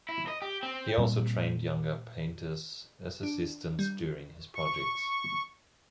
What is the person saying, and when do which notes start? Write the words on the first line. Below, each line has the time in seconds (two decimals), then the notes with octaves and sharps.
He also trained younger painters as assistants during his projects.
0.09 E4
0.28 D#5
0.42 G4
0.63 C4
0.98 A#2 G3 C4
3.23 D4
3.79 G3
4.55 C#6